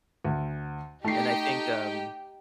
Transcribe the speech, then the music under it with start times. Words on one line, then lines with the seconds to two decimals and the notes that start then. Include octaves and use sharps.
And I think, um
0.25 D2
1.04 A3 D#4 G4 G5 C7